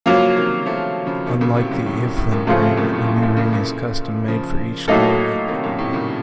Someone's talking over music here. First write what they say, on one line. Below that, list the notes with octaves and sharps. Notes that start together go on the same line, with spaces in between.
Unlike the Iffland-Ring, a new ring is custom made for each laureate.
C#3 F3 F#3 A#3 F4
C3 D#3
F3 A3
C#3 F3
C3 D#3
A#2 C#3
A2 C3
F#2
A2
F#2
A2
F#2 A#2
A2 C#3 F3 A3
A2 C3
F#2 A#2
A2
F#2 A#2
F#2 A#2
A#2 C#3
A#2 C#3
C#3 F3
A2 F#3 A#3 D#4 A4
C3 D#3
F#2 A#2
A2 C3
A#2 C#3